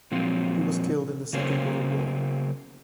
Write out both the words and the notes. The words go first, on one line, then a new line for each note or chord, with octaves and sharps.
He was killed in the Second World War.
A#2 F3 F#3 C4
C#3 F#3 A#3 C#4 C5